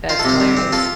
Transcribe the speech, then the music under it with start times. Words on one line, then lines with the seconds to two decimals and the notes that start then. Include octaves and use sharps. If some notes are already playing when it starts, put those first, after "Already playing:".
That's hilarious.
0.09 F4 C5
0.19 A4
0.25 C3 C5
0.40 G3
0.57 C4
0.72 F4 A4